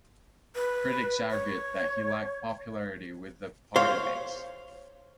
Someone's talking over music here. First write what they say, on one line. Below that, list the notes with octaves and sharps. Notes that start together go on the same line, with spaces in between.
Critics argued that he lacked popularity with the party base.
B4
C#5
C5 C#5 F5